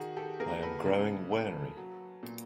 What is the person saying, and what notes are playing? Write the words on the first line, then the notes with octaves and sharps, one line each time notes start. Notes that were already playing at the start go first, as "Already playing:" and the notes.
I am growing wary.
Already playing: D#3 F#4 G#4
G4 A4
A#3 G#4 A#4
A4 B4
C#3
A3
F#3
A#2